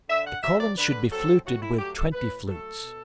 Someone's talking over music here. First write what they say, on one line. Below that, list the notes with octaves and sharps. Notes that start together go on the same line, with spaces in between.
The columns should be fluted with twenty flutes.
D3 E5
F#5
F#3 C4 E5
D5
D3 B4
F#3 C4 A4
A2 F#4
E4
F#3 A3 G4
A4
A2 B4
F#3 A3 A4
B2